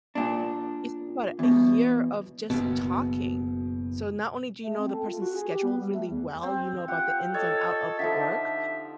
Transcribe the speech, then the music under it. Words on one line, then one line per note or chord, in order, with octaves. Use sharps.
You think about it, a year of just talking. So not only do you know the person's schedule really well, you know about the ins and out of work,
A#2 D4
E2 B2
F#1 B2
A3
C4
A4
F4
F#4
G#4
G4
B3
G3
A3
E2
C4
F4 G4 F#5
A4 C#5 D#5
D3 F3 D#4 E5